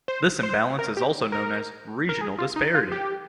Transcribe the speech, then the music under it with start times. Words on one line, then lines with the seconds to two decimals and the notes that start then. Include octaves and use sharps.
This imbalance is also known as regional disparity.
0.08 C5
0.43 C5
0.79 A#4
0.97 G4
1.32 A#4
2.09 A#4
2.21 G#4
2.38 F4
2.56 D#4
2.75 F4
2.92 G4